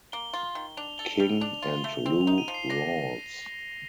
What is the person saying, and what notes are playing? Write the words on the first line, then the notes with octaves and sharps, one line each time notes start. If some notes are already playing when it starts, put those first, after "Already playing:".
King, and Lou Rawls.
A#3 G7
F4
D#3
D4 F7
A4 G7
G3 F7
D4 F7
F4
G7
A3
C4 F7
F7
D#4
D#7
F3
C7
D4 A#6